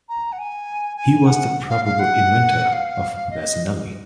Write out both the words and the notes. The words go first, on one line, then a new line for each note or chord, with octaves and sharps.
He was the probable inventor of bassanelli.
A#5
F#5
G#5
G#5
F#5
F5
F5
F#5
F5
D#5